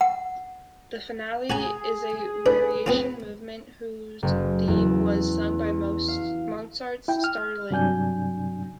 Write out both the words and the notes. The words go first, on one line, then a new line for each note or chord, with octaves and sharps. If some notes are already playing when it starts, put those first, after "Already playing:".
The finale is a variation movement whose theme was sung by Mozart's starling.
F#5
F#4 G#4 G#5 A#5
D4 B4
B3 C4 F4
F#1
E2
F5
E4 G5
F6
G2 C3 F#3 D4 G#5 G6